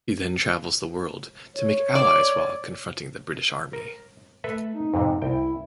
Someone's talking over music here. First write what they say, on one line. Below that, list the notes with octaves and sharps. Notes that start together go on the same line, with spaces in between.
He then travels the world to make allies while confronting the British Army.
C#5
D5
A#4
A3 A4 B4 E5
D#4
F2 G#2 C3
C2 E4 G5